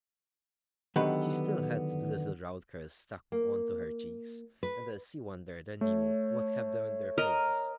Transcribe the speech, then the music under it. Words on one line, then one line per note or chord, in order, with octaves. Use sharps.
She still had the little round curls stuck on to her cheeks, and Elsie wondered anew what kept them in their places.
D3 D#3 F#3 B3 G4 B4
A#3
B4
A3 C#5
A#4 D#5